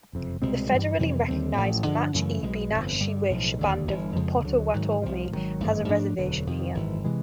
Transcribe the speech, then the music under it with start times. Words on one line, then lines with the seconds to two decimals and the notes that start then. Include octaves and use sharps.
The federally recognized Match-E-Be-Nash-She-Wish Band of Pottowatomi has a reservation here.
0.13 F#1 F2 C3
0.42 C2 B2 G#3 C4
0.71 G2 E3 G3
0.99 F2 C3 E3 G3
1.28 D#2 D3 G3 C4
1.57 A1 A2 F3
1.86 G2 D3 F3
2.14 F#2 C#3 E3 A3
2.43 B1 B2 G#3
2.72 G1 F2 C3
3.00 G2 D3 G3
3.30 B1 A2 F3
3.59 E1 D#2 D3
3.87 G1 G2 E3
4.16 F2 C#3 F3 G#3
4.44 D2 D3 F#3
4.74 G#2 D#3 F#3
5.02 C2 C3 F3
5.31 G#1 F#2 D#3 F#3
5.60 G#1 G2 E3 A3
5.88 G#2 F3 A3 D4
6.18 E1 D2 D3 F#3
6.47 F2 C3 D#3
6.75 G#1 F#2 C#3 E3
7.05 C3 E3 G#3